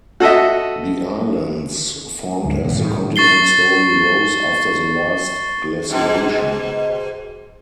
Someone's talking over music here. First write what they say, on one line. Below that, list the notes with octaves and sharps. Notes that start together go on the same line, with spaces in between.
The islands formed as the continent slowly rose after the last glaciation.
F#4 A4 D#5 E5
D2 G#2
F#1 B1 G#2 E3
A2 D#3 G3
C#6 A6 C7 G7
G#2 B2